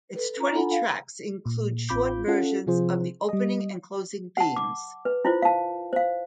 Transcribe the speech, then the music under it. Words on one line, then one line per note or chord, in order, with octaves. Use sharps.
Its twenty tracks include short versions of the opening and closing themes.
A4 B4
C#4 F4 A#5
D4 F4 A4 F#5 G#5 B5
F5
A#2
A1 C4 F4 B5 D6 G6
C#4 F4 A4 F#5
C3 F3 F4 G#4 C5
G3 D#5
F#5 A5
D6
B4
E4 F4 C5
F5 A5
C5 F5